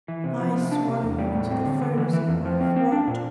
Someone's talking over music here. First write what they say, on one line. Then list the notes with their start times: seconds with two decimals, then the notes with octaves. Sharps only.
I swallow you into the furnace of my throat.
0.08 E3
0.24 C3
0.40 F3
0.56 C3
0.71 D4
0.87 C3
1.03 E2
1.18 G3
1.35 A2
1.50 C4
1.66 D3
1.82 D3
1.98 E3
2.13 E3
2.29 F2
2.45 F3
2.60 C4
2.76 C4
2.92 D4
3.08 A#2